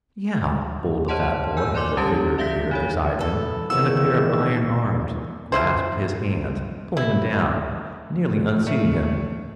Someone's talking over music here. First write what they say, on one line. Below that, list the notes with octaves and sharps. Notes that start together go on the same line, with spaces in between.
"Yeow!" bowled the fat boy as a figure appeared beside him and a pair of iron arms grasped his hands pulling him down, nearly unseating him.
C5 C#5 D#5 F#5 A5 C6
G#5 E6 G6
C#5 D5 G#5 C6 D6 F#7
G3 C#4 G4 A5 A6
D5 E5 F5 G6 A#6 B6
D#4 F#4 C#5
A4 B4
E2 D#3 F3 F#4 E6
F3 E4 C5
E4
A3